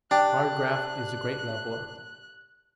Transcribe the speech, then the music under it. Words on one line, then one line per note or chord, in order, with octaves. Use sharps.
Hard graft is a great leveller.
D4 G4 F#6